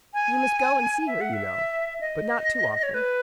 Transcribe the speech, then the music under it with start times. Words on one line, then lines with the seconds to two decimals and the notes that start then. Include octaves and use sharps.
You must go and see her, you know; but not too often.
0.14 G#5
1.07 E5
1.21 F#5
1.33 E5
2.01 D#5
2.83 C#5
2.94 B4